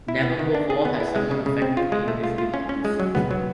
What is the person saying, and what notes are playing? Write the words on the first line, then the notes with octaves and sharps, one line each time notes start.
Never before has someone affected the industry like this.
E4
B3
D#3
D4
G#4
B3
E4
G#3
C#3
C#3
C4
F4
G#3
A3
F4
F4
C#4
C#4
G#3
F#3
B3
F#3